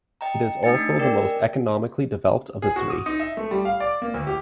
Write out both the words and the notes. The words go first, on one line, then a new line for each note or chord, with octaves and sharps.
It is also the most economically developed of the three.
D#5 G5 A#5
A3 D#4 D#5 A6 C#7
D4
G#4 A#4 D5 G5
D#5
G#4
F#4
D#6
D#4
E5
A3
G3
F5
D5
A#3
D2
G4